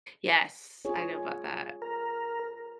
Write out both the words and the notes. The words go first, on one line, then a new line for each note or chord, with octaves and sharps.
Yes, I know about that.
F4 G#4 C#5
A#4